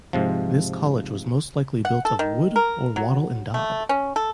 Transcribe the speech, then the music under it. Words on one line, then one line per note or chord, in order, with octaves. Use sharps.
This college was most likely built of wood or wattle and daub.
G#2 C3 F3
F#5
A4
D#3
A#4
F#3
A3
C#4
A4